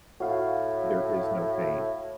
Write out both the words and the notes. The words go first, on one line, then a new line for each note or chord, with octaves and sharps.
There is no pain.
A2 F#4 F5